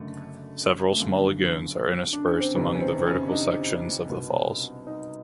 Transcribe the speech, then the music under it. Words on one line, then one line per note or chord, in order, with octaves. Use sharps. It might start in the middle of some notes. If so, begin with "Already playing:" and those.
Several small lagoons are interspersed among the vertical sections of the falls.
Already playing: F#1 F#2 D3 A3
A3
G1 F#2 D3 A#3
D4
C#4
C4
F#1 F2 C3 D#3 B3
C#4
C4
C4
C#4
D4
D#4
C2 B2
D#4